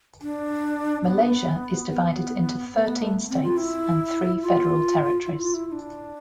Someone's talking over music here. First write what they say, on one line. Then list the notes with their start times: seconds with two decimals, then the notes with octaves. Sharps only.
Malaysia is divided into thirteen states and three Federal Territories.
0.22 D4
1.05 B3
1.90 B3
2.74 A3
2.87 B3
3.02 A3
3.30 C4
3.44 F4
3.57 E4
4.42 F4
5.26 E4
5.40 F4
5.54 E4
5.67 E4
5.72 D4